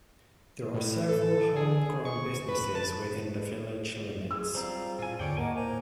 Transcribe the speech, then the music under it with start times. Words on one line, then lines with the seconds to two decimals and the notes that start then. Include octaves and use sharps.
There are several "home grown" businesses within the village limits.
0.74 A2
1.09 A4
1.56 G#4
2.05 C#6
2.48 B4
2.75 A5
4.31 G#4 E6
4.55 G3 C4 F4 C5 A#5
4.99 A2 F4 G#5
5.19 D#2 G#2 D3 C#5 D5 G5
5.37 A#3 D#5 F#5 G#5 A5 D6
5.56 A2 C5 A#5